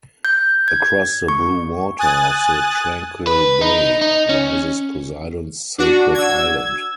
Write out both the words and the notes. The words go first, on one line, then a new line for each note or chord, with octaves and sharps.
Across the blue water of the tranquil bay rises Poseidon's sacred island.
G6
G#6
C#6
G#5 D#6 F#6 A6
B4
D#4
D#4
C#4
D4 F#4
E6 G#6